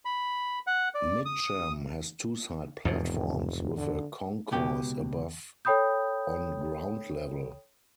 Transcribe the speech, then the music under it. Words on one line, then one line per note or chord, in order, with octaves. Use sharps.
Mitcham has two side platforms with a concourse above on ground level.
B5
F#5
D5
D#6
F1 E2 G#2 B2
D3
C#2 B2 G4 G5
A4 C#5 G5 B5 D#6 G6